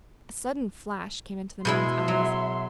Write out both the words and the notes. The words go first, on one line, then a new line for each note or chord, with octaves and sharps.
A sudden flash came into the man's eyes.
B2 G#3 E4 E5 C6
F#3